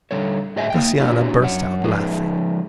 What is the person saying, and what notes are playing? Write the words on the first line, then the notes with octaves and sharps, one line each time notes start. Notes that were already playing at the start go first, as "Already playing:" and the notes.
Josiana burst out laughing.
D3 G3 A4 C#5
A2 G#4 C#5 D#5 E5 G#5
A#3 G5
D4 E4 F#4 G4 C#5
F#2 C#5 F#5
F3 G#3 D#4 G#4 B4